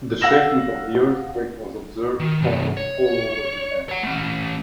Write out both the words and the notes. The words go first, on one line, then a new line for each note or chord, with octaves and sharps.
The shaking of the earthquake was observed almost all over Japan.
F5 F#5 E6 A#6 E7
D#3
C2 G2
C#5
C#5 F#5
A3 C#4